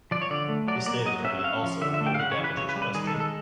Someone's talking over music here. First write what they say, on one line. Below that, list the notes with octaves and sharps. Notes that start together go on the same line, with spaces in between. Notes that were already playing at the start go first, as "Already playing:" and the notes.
The state attorney also appealed the damages question.
F3 D5
C#5
D3 D5
A3
F#3 D5
A#3 D5
F#3 D#5
C#4 E5
E5
C#4 F5
F3
D3 E5
E5
A3
G5
F5
C#3 F#5
C#5
E3
B4
C#3 C#5
B4
G3
B4
D#3 G#4
A4
G#3
A4